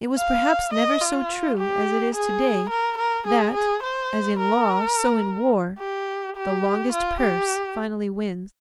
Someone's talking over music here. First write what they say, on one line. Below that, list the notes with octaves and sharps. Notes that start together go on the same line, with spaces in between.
It was perhaps never so true as it is today that, as in law so in war, the longest purse finally wins.
F5
D#5
F4
G4
G#4
A#4
A#4
G#4
G#4
C5
A#4
G4
G4
F4
G4